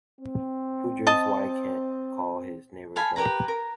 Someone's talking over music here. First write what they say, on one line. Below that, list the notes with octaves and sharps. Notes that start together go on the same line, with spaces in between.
Who drinks why can’t call his neighbor drunk.
C4
D#5 A5
A4 F5 G#5 B5
G4 A#4 B4 A#5
A#4